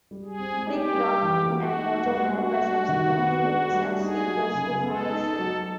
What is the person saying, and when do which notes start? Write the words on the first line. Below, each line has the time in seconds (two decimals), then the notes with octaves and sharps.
"Big Rock Beat" and "Mojo Hand" were subsequently released as sequels to "Horror Show".
0.11 G3
0.25 G#4
0.39 C4
0.66 D#4 G4
0.95 G3
1.23 E3
1.50 A#3 F#4
1.78 D#4
2.05 G3
2.33 D4 F#4
2.61 G3
2.89 D#3
3.17 B3
3.45 D4
3.72 G3
3.99 D#4 G#4
4.28 F#3
4.55 C#3
4.83 B3 A4
5.10 D#4
5.38 F#3